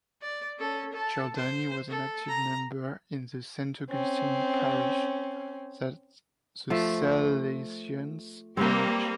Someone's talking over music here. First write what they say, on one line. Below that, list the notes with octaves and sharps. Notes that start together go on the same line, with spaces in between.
Giordani was an active member in the Saint Augustine parish that the Salesians managed.
D5
C#4 A4
A4 A5
C5
A4
A#5
C4 C#4
F3 A3
G3 A#3 C4 G4 B4 G5